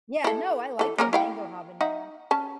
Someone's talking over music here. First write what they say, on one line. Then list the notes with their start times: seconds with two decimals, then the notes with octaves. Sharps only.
Yeah, no, I like it, Mango Habanero.
0.24 E4 A4
0.79 E3 A4
0.98 A#3 C#4 A#4
1.13 E4 F5 G5
1.81 D#4 E5 F#5
2.31 C#4 A5